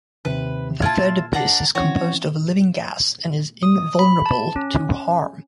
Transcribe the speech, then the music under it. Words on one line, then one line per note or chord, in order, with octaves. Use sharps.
The third Abyss is composed of living gas and is invulnerable to harm.
D#2 C3 B4
A#2 E4 F4 A5 F6 G#6
D4 F#5 A#5
E3 C4 C#4 F#4 C#5
D#6
B5
A5
C#4